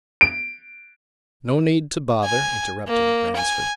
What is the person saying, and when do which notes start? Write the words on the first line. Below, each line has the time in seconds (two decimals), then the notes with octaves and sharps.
"No need to bother," interrupted Ransford.
0.21 D7
2.24 G#5
2.88 A#3
3.36 G#5